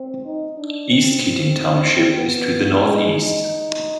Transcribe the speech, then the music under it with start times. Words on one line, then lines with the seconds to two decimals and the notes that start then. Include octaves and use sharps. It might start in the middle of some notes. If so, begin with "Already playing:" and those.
East Keating Township is to the northeast.
Already playing: C4
0.25 D#4
0.57 D4
0.90 C4
2.17 B3
2.82 G#3
3.13 D#4